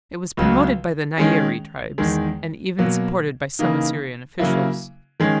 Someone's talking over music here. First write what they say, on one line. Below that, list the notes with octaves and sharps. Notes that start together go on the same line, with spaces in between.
It was promoted by the Nairi tribes, and even supported by some Assyrian officials.
C#2 C#3 F#3
D#3 G#3 C#4
E2 D#3 G#3
B2 F#3 A#3
C#3 E3 A#3 D#4
C#3 F#3 A#3 E4
D#3 G#3 C#4